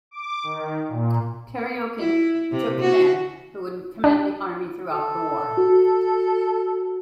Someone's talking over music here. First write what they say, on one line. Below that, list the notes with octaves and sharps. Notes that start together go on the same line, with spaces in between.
Teryokhin took command, who would command the Army throughout the war.
D6
D#3
A#2
E4
C3
F#4
D4
A4
F#4